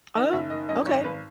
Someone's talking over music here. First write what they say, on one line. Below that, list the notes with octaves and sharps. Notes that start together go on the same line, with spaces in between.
Oh, okay.
D#3 D#5
F#1 E5
D#3 D#5
F#2 D#5
G#1 C#5
G#1 B4